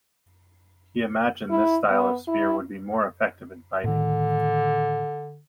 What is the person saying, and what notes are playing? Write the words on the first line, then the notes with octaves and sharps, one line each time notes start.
He imagined this style of spear would be more effective in fighting.
E4
B3
E4
A2 D3 D#3